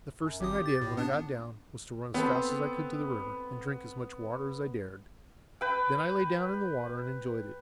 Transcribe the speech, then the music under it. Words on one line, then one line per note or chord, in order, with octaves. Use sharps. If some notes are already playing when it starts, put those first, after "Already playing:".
The first thing I did when I got down was to run as fast as I could to the river and drink as much water as I dared, then I lay down in the water and enjoyed it.
F#2
G#1 G4 D#6
A6
A2
B3 D4
B3 C4 A4
B4 G5